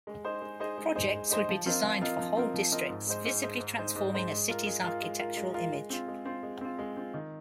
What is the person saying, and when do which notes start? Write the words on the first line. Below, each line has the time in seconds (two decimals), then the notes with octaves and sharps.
Projects would be designed for whole districts, visibly transforming a city's architectural image.
0.07 G#3
0.24 D#4 G#4 C5 D#5
0.42 G#3
0.60 D#4 G#4 C5 D#5
0.78 G#3
0.95 D#4 G#4 C5 D#5
1.13 G#3
1.30 D#4 G#4 C5 D#5
1.49 F3
1.66 C4 F4 A#4 D#5
1.84 F3
2.01 C4 F4 A#4 D#5
2.19 F3
2.37 C4 F4 A#4 D#5
2.54 F3
2.72 C4 F4 A#4 D#5
2.90 G#2
3.07 G#3 D#4 C5 D#5
3.25 G#2
3.42 G#3 D#4 C5 D#5
3.60 G#2
3.78 G#3 D#4 C5 D#5
3.96 G#2
4.13 G#3 D#4 C5 D#5
4.31 G#3
4.48 F4 A#4
4.66 G#3
4.84 F4 A#4
5.02 G#3
5.19 F4 A#4
5.37 G#3
5.54 F4 A#4
5.72 G#3
5.90 C4 F4
6.08 G#3
6.25 C4 F4
6.43 G#3
6.61 C4 F4
6.79 G#3
6.96 C4 F4
7.14 D#3